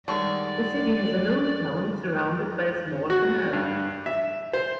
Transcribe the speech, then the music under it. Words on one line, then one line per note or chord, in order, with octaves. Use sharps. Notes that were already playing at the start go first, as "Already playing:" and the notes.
The city has an old town, surrounded by a small canal.
D3 D#3 G3 G#3 D5 C#6
F#4
G2
E5
C5